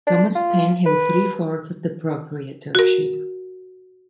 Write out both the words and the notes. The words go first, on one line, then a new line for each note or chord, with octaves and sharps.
Thomas Penn held three-fourths of the proprietorship.
D4
F4
B4
F#4 A#4